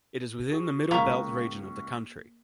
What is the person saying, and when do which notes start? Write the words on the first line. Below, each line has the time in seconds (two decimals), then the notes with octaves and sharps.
It is within in the Middle Belt region of the country.
0.49 F#4 G#4
0.91 C#2 A#3 C#6 B6